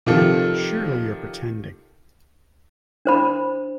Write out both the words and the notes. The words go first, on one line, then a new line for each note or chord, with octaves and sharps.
Surely you’re pretending.
C3 D#3 F3 A4
D4 C5 B5